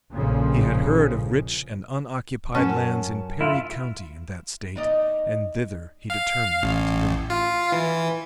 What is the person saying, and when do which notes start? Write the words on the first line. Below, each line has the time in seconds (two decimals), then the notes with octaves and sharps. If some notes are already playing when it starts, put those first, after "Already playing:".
He had heard of rich and unoccupied lands in Perry County in that State, and thither he determined to go.
0.12 A#1 F2 A#2 C#3 F3
2.55 F#2 F#3 C#4 A5
3.41 E4 F4
4.76 D#4 D5 D#5
6.10 F5
6.63 A1
7.30 F4
7.72 E3